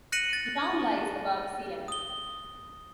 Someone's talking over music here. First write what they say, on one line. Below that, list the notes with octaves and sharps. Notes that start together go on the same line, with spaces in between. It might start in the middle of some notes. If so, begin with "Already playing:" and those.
The town lies above sea level.
F#6 A#6 C#7 D#7 F#7
A6
D#6 G7